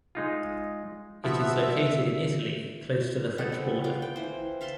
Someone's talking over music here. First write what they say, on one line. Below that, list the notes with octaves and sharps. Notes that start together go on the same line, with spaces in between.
It is located in Italy close to the French border.
G#3 D#4 F4
F3 B3 F#4 E5
B3 C4 A4
C#3 B3
F4 D6
G5
E3 C5
E5 F5 A5 C6